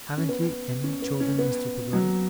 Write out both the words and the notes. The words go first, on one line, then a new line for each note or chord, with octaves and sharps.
'Haven't you ANY children, Mr. Peggotty?'
C#4
B3
C#4
B3
C#4
B3
F#3